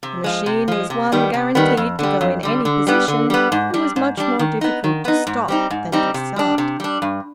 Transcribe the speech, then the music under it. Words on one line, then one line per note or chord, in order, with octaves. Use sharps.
The machine was one guaranteed to go in any position, and was much more difficult to stop than to start.
C3
F3 G#3
C3
F3 G#3
C3
D#3 G3 B3
C3
D#3 G3 B3
F2
D3 G3
F2
D3 G3
D3
G3 B3
D3
G3 B3
G#2
G3 D4
G#2
G3 D4
D#3
B3 D#4
D#3
B3 D#4
G#2
G3 C4 D#4
G#2
G3 C4 D#4
C3
G3 D4
C3
G3 D4
G2